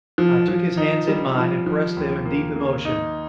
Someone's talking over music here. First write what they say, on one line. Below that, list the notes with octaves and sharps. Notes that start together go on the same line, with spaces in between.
I took his hands in mine and pressed them in deep emotion.
F3
F3
D#4
G3
F3
F3
D#2
A#3
A#3
D#4